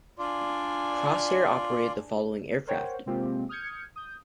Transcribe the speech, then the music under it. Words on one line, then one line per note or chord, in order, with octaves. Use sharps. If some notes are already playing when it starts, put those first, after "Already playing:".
Crossair operated the following aircraft.
D4 F4 D5 G#5
A#4 C5 C#5 F#5 G5
C3 G#3 A#3 C4 F4 G4
D#6 F6 G6 G#6 C#7
D#6 G6